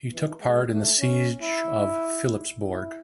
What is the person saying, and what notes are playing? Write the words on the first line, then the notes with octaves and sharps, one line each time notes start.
He took part in the siege of Philippsbourg.
E3
G#3
A3
C#4
E4
E4